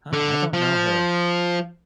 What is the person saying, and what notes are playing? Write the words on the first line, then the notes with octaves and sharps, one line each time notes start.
Uh, I don't know her.
D3
F3